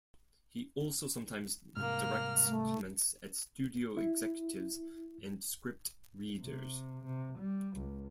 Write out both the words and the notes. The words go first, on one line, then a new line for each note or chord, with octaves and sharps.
He also sometimes directs comments at studio executives and script readers.
C2 G#2 A#3 F6
A3
E4
C3
C3
G3
C#2